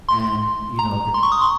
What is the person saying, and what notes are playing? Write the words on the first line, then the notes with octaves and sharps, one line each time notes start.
And, you know, the
C6
A#5
C6
C#6
D#6
C6